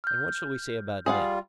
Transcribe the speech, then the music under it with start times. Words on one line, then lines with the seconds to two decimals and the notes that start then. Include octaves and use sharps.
And what shall we say about men?
0.04 F6 G6
1.06 G3 F4 G#4 F5 F#5